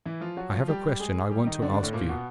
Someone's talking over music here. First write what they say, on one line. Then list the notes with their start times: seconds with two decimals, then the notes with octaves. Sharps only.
'I have a question I want to ask you.'
0.05 E3 E4
0.21 F3 F4
0.37 F#3 F#4
0.53 F3 F4
0.68 G3 G4
1.00 G#3 G#4
1.31 G3 G4
1.46 D#3 D#4
1.62 D3 D4
1.73 D3 D4
1.83 A2 A3
1.93 A#2 A#3
2.09 B2 B3